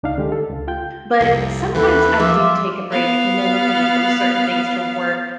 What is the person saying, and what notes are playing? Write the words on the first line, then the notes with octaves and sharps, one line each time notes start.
But sometimes I do take a break mentally from certain things from work,
C#2 D4 D#4 F5
D3 G#3 G4
A4
C#2
F4 G5 G6
C2 F2
D#2 E3 A4 B4
F#2 F3 F4 G4 E5 D6
B3 F5